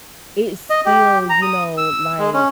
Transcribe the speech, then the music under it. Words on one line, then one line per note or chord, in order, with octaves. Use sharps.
it still, you know, like,
D#5
G4
A#5
D#6
E6
G#3
C#4